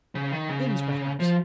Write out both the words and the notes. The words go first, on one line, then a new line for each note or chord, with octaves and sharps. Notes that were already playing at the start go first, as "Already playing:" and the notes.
Skins perhaps.
C#3
D#3
C#3
F3